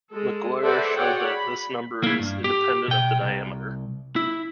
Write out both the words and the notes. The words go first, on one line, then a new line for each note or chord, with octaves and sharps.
Laguerre showed that this number is independent of the diameter.
G#3 A4
A4 B4 C5 D5 E5 F#5
F#4 G#4 C#5 D5 F#5 G5
B5
A#3 E4
G2
G4
B2 G5
C2
E4